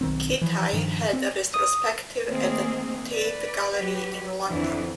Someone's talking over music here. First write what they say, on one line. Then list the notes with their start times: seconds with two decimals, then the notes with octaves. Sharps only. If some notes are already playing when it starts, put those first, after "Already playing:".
Kitaj had a retrospective at the Tate Gallery in London.
0.01 B1 D#3 C4
0.41 E3 F3
0.73 G2 D#3 F3
1.13 C4
1.54 D#6
2.27 D#3 A3 A#3 C4 G#4
3.11 B4 D5
3.73 F#3 G4 B4
4.49 F2 D3 E3